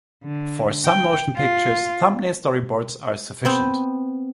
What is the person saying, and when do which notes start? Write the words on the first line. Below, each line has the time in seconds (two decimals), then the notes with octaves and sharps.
For some motion pictures, thumbnail storyboards are sufficient.
0.24 D3
0.85 G5
1.36 F4
3.45 B3 C4 G5